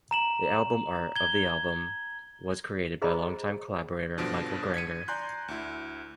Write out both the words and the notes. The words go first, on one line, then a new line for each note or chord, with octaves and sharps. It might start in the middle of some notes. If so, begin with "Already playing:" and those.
The album art of the album was created by long-time collaborator Michel Granger.
A#5 E7 F#7
G#6 G7
G#4 C5 D#5 A#5 B5
G2 B2 D3 F3 D7
G#6 B6 C#7 D#7
D5 G#5 A#5 C6 F#6 G6
D2 E4